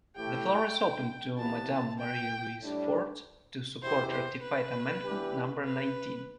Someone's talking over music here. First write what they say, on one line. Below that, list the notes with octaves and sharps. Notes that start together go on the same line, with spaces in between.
The floor is open to Madame Marie-Louise Fort, to support rectified amendment number nineteen.
A2 E3 A3 E4 G4 G5
C3 E3 B3 A5
G5
A2 G3 D4
E2 B2 B3 E4 G4 C5
C5
B4
E3 B3 D4 G4
B4